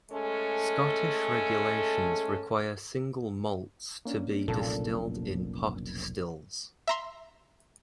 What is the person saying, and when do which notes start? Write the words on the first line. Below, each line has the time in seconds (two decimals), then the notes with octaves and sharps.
Scottish regulations require single malts to be distilled in pot stills.
0.12 G#3 A3 C#4 A4
4.05 A#3 C#4 D4
4.48 F1 B1 A#2 A4
6.88 E5 A#5 C6